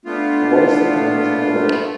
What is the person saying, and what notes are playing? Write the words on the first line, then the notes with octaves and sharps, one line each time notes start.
A boy is sleeping in his dinner bowl.
A3 B3 D4 F4